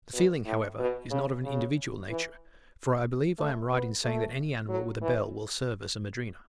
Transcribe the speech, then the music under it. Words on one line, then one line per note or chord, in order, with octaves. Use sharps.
The feeling, however, is not of an individual nature; for I believe I am right in saying that any animal with a bell will serve as a madrina.
B2
A2
B2
C#3
C#3
E3
A3
B3
A3
F#3
E3